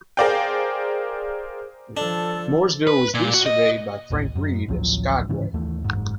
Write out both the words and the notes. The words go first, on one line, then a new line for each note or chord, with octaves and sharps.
Mooresville was resurveyed by Frank Reid as Skaguay.
G#4 A#4 C5 D5 F5 G5
F3 D4 A4
B4
A#2
F#4
D#5
A1 D#2 A2
F#2
A1 D2 F3 F#3
G#2 C#3 E3
D#2 E3 A3
F#1 G#2